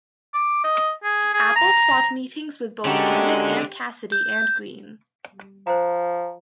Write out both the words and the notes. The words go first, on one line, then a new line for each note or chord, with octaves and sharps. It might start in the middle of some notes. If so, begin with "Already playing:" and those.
Apple sought meetings with both Panic and Casady and Greene.
D6
D#5
G#4
G#4
A#5
D3 G#3 C#4 F#4 G4 A#4
G6
F3 C5 A#5